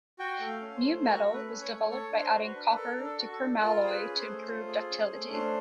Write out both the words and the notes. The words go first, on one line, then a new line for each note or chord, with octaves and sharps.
Mu-metal was developed by adding copper to permalloy to improve ductility.
F#4 G5
A3
F5
C#4
C5
A3
F#4 A#4
A3
B4
C#4
C#5
A3
A4 C#5
D4
C5
F#4
B4
D4
A4 A#4
D4
A4
F#4
A4
D4
F4 A#4
G#4 C5
B4
C#4
C5
A3
F4
G#4
C#4
A3
D4 C5